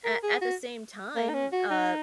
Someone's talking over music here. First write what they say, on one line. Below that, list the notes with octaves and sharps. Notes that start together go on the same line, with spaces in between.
a at the same time, uh,
A#4
G#4
F#4
A#3
D#4
C#4
F#4
D#4